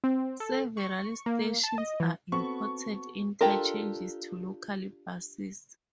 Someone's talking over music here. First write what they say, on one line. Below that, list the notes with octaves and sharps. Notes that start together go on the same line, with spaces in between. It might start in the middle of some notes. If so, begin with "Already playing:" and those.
Several stations are important interchanges to local buses.
C4
A4
C#6
A#3
A5
D#5
E3
B3 C4 F#4 A4 C#6
D4 F4 G4 A4 A#4